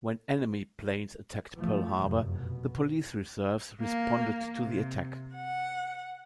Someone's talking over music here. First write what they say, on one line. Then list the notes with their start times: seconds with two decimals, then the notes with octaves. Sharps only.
When enemy planes attacked Pearl Harbor, the police reserves responded to the attack.
1.56 F3 A3
2.02 F1 F#2
2.36 B2
3.81 A#3
4.61 C3
5.35 F#5